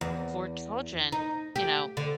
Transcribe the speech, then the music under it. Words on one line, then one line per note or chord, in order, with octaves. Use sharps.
for children, you know,
E2
D#4
G4
D3